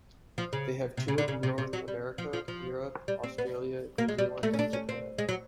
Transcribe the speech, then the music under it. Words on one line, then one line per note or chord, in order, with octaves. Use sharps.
They have toured North America, Europe, Australia, New Zealand and Japan.
F3
C#3
C3
C#3
D3
C#3
C3
C3
F#3
G3
F3
F3
F3
G3
C4
B3
A#3
G#3
G3
A3
C#4
D4
C#4
C4
G#3
F#3